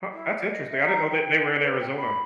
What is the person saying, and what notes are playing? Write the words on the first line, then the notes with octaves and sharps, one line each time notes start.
Huh, that's interesting. I didn't know that they were in Arizona.
E4
D5
D#5
E5
A#5
G5
G5
A4
B4
G5
B5